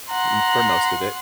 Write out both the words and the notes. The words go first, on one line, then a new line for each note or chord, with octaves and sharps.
mm, for most of it,
F#5 A#5 C6